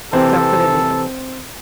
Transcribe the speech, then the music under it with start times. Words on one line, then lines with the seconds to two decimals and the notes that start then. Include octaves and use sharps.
So I'll put in the oh.
0.13 C3 E3 C4 A4